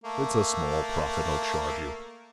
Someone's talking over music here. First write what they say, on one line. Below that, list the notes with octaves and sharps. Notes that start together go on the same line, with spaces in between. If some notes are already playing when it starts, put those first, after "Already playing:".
It's a small profit I'll charge you.
A3 A#3